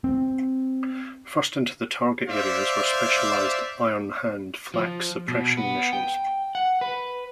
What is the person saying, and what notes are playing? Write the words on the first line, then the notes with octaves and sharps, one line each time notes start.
First into the target areas were specialized "Iron Hand" flak suppression missions.
C4
C5 D5 E5 F5
F3
B2
B3
G5
F#5
B4